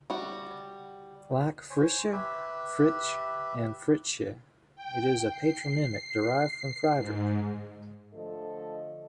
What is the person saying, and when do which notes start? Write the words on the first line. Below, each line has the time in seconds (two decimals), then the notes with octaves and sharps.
Like Fritsche, Fritzsch and Fritzsche, it is a patronymic derived from Friedrich.
0.10 G3 F#4
1.70 C5 C#5 G#5
2.13 G4 B4 E5
4.76 G5
5.30 C7
6.28 C7
6.96 G#2
8.13 D3 F3 A3 A4 D#5